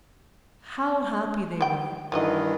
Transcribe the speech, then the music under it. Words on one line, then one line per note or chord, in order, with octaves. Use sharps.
How happy they were!
G3 G5
G2 D#3 E3 F#3 A3 D#5